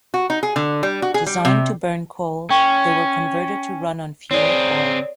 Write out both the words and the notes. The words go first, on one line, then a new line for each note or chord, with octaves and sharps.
Designed to burn coal, they were converted to run on fuel oil.
F#4
D#4
G#4
D3
G3
F#4
G#4
G3
C3
C#4 G5 C#6
C4 G#4 C#5 D5